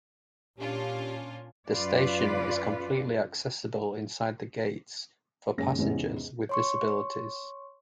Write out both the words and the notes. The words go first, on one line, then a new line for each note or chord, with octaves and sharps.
The station is completely accessible inside the gates for passengers with disabilities.
A#2 C#4 D4 F4 G4
F#2 C#4 F4 B4 D5
F#1 G#2 C#3 C#4 A#6
E2 G#2 C3 B3 C#4 E4
C#5 C6 C#6